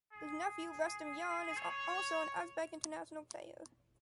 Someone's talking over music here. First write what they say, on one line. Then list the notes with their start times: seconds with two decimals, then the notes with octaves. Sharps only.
His nephew, Rustamjon, is also an Uzbek international player.
0.13 G#4
1.58 C#5